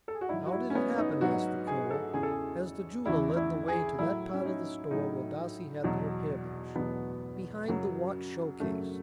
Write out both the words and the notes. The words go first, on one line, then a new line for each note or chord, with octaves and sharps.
"How did it happen?" asked the colonel, as the jeweler led the way to that part of the store where Darcy had the repair bench, behind the watch showcase.
A4
G#4
F#4
G#2 F#3 E4
F#4
E4
C#4
B3
D#4
G#2 F#3 F#4
G#4
A4
E2 C#3 E3 G#4
A4
G#4
E2 C#3 E3 E4
E4
G#4
A2 F#3 E4
C#4
D#4
A2 F#3 D#4
E2 B2 F#3
E2 B2 F#3 B3
F#2 C#3 F#3
F#2 C#3 F#3 A3